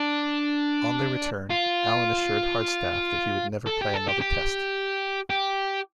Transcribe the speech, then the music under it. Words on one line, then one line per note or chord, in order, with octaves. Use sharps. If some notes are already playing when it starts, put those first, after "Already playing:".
On their return, Allen assured Hardstaff that he would never play another Test.
Already playing: D4
F4
A4
G4
A4
G4
G4
G4